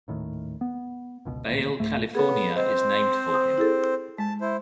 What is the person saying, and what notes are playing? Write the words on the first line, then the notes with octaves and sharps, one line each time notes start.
Bale, California is named for him.
D#1 A2 D#3
B3
G1 C#2 B2
D1 A1 D2 A#2
C2 F2 G#2 A3
B3 G#4 A4 C#5
C4 C5 D#5
D#6
E4 G#4 A4
G#3 A5
E4 C5